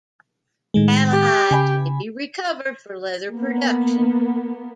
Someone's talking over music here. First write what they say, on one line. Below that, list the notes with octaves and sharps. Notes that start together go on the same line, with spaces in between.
Cattle hides may be recovered for leather production.
A2 D#3 G#3
G4
C#3 G#5 B5
A#3 B3